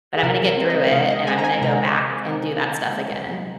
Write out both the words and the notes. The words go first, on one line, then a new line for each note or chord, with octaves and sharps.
but I'm gonna get through it, and I'm gonna go back and do that stuff again."
G#4
C3 A#4
A#4
G#3 C4
C5
D#5
C3 F5
D#5
G#3 C4 G#5
A#5
G#5
C3 A#5